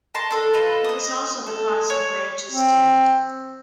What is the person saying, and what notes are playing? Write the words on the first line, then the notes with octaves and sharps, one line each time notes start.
It was also the cause of Branch's death.
D#5 A5 C6
D4 A4
F4 A4 B4 D#5
D#5 D#6
A4
C#5
C4